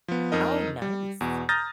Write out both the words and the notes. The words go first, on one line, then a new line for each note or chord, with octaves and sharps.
Oh, nice.
F3 B3
F2 D#4 A#4 D#5
G3
E2 B2
A#5 D#6 F6 G6 A6 A#6